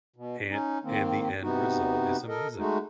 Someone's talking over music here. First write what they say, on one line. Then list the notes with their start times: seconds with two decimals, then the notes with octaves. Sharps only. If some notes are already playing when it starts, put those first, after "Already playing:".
and and the end result is amazing.
0.16 B2
0.50 C#4 D#4
0.84 D#3 A#3 C4
1.42 C3 B3 D#4 F#4
2.28 A4 A#4 D#5
2.58 G#3 A3 D#4 F#4